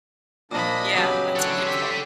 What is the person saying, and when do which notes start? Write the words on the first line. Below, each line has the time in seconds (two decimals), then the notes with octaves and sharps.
Yeah, that's beautiful.
0.51 A#2 F3 A#3 D4 D#5 B5
0.95 C#3 F#3 B3 G4
1.36 A2 D3 A4 C#5 F#5 F#6
1.66 G4 C6 E6 B6